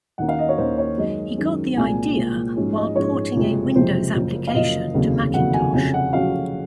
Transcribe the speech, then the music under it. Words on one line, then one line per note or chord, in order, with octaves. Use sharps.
He got the idea while porting a Windows application to Macintosh.
D#2 D#3 A#3 C#4 F#5
F5
D#5
C#5
D#2 D#3 A#3 C#4 C5
C#5
F#2 D#3 G#3 C#4 D#5
F#2 D#3 G#3 C#4
C2 A#2 G#3 C4 G#5
C2 A#2 G#3 C4
G#2 F3 G#3 C#4
D#5
G#2 F3 G#3 C#4 C#5
F#1 F2 C3 F3 G#3
F#1 F2 C3 F3 G#3 C5
F#1 F#2 F3
F5
F#1 F#2 F3 D#5
F1 D#2 C#3 F#3
F1 D#2 C#3 F#3 F#5
G#5
F1 F2 C#3 F#3 C#4 G#5
F#5
F1 F2 C#3 F#3 C#4 F5